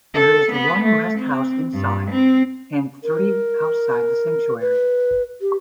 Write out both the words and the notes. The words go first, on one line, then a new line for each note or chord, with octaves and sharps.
There is one rest house inside, and three outside the sanctuary.
A4
B3
A3
C4
G2
C4
A#4
B4
G4